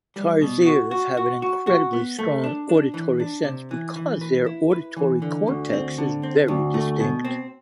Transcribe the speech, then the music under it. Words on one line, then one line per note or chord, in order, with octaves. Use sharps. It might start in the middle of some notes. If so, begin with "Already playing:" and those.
Tarsiers have an incredibly strong auditory sense because their auditory cortex is very distinct.
G3
B2
F#4
F#4
F#4
F#4
F#4
B3
A3
D4
D4
E3
D4
C3
E3
E3
B4
E4
B4
E3
D3
D2
C4
D3
C4
D2
A3
B2
C4